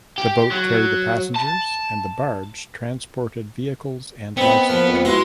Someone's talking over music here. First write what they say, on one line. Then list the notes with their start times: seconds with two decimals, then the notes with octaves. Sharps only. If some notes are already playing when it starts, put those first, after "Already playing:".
The boat carried the passengers and the barge transported vehicles and livestock.
0.18 G4
0.51 F#3
1.35 A5
4.37 B3 C4 D#4
4.69 F3 A#3
4.87 F2
5.05 G#3 E4 F#4 B4 C6